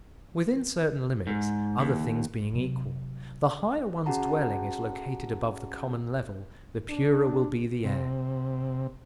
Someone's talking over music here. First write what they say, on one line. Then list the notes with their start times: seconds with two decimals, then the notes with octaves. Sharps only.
Within certain limits, other things being equal, the higher one's dwelling is located above the common level the purer will be the air.
1.27 G#2
1.79 D#2
2.53 C3 F#3
4.06 C#4 F#4 G#4 F#5 A5 A#5
6.89 D4
7.84 C3